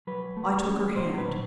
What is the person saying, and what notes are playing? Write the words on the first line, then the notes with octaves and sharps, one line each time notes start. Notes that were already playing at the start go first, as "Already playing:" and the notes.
I took her hand.
F#3 B4
A3
C#4
A#2 C5
B4
F#3